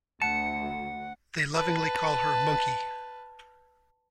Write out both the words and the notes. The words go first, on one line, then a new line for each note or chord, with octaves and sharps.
They lovingly call her Monkey.
D2 F#5 A5 C#7
B4 A5